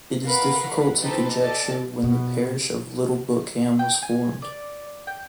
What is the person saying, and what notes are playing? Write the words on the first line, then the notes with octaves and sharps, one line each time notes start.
It is difficult to conjecture when the parish of Little Bookham was formed.
A#4 B4 F5 F#5 B5
C4 D#4 G4 A4 B4 C5
G4 A4 D5 D#5 A5
B2
G5
G#5
D5
G5